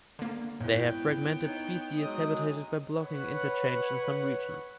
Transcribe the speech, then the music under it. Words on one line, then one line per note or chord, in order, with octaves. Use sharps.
They have fragmented species habitat by blocking interchange in some regions.
D3 A#3
G#2 B3 E4 C#5 G5
D#4 C#5
F#3 G#3 D#6
B4 C#5 F#5